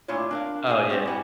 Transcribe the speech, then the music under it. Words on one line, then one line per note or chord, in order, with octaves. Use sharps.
Oh, yeah.
A#2 A3 D4 E4 F4 C#5
D4 A#4 F5
A2 D#4 G#4 G#5
G3 C4 F#4 G4 G5
E4 F#5 G#5